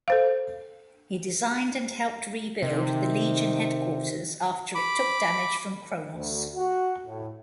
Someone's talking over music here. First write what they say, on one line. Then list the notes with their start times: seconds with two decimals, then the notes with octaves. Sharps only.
He designed and helped rebuild the Legion Headquarters after it took damage from Chronos.
0.08 A4 C5 F5
2.62 C3 D#3
4.75 B5 D6
6.14 D2
6.55 F#4
7.05 A2